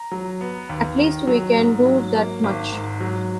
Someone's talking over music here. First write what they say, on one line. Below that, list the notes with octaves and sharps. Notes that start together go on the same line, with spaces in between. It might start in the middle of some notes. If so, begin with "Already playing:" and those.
At least we can do that much.
Already playing: A#5
F#3
B3
D#2
D#3
F#3
G#2
F#3
A#3
G#1
G#2
F#3